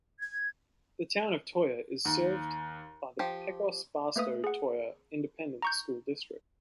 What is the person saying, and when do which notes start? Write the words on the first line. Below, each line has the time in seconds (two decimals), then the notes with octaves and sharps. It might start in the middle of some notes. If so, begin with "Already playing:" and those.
The Town of Toyah is served by the Pecos-Barstow-Toyah Independent School District.
0.20 G#6
2.05 D#2
3.19 F3 G4
4.16 A3 A#3 B4 E5 D#6
4.44 G#4 F#5
5.62 A#5 C#6 G6